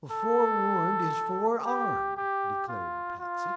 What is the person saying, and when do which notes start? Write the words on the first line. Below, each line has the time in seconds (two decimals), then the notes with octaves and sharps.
"Forewarned is forearmed," declared Patsy.
0.11 A4
1.65 G4
2.17 G4
2.68 F4
3.20 F4